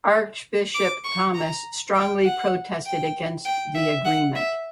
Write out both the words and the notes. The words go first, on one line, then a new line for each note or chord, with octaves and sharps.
Archbishop Thomas strongly protested against the agreement.
D6
C#6
A#5
G5
F#5
G5
G5
E5
F#5
E5